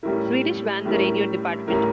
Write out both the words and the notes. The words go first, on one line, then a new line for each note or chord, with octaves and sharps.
Swedish band The Radio Dept.
A2 G3 C#4 E4 A#4
A2 G3 C#4 E4 A#4
A2 G3 C#4 E4 A#4